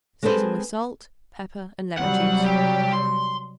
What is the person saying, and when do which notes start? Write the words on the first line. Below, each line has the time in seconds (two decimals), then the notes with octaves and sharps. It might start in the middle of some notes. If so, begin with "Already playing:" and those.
Season with salt, pepper and lemon-juice.
0.23 G#3 C4 G#4 A4 B4 C5
1.97 C3 F#3 G3 F#5
2.45 G4
2.93 C6